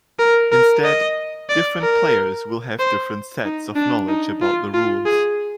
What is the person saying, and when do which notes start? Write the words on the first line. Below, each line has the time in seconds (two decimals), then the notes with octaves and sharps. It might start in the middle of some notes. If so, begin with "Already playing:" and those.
Instead, different players will have different sets of knowledge about the rules.
0.19 A#4
0.52 A#4
0.84 D#5
1.49 D5
1.82 A#4
2.79 C5
3.45 D#4
3.76 D4
4.08 D#4
4.42 F4
4.74 F4
5.06 G#4